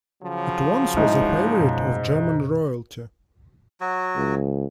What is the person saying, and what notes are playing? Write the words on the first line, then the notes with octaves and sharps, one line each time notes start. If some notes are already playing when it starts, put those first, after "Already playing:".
It once was a favorite of German royalty.
C#3 F3 F#3
G#2 E4 D#5 E5
F#2 B2
F#3 F#4
C#2